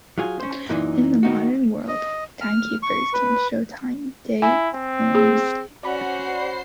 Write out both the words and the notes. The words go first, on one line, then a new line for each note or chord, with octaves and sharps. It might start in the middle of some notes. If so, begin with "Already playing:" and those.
In the modern world, timekeepers can show time, date and weekday.
F#3 F4 G#4
C#4 C5
F#2 A#2 E3 D#4
D#3 D#4 F#4
D#5
F6
C#6
B4
E4 G#5
C4
G#4
C#4 F#4 C5 D5 F#5 B5 C7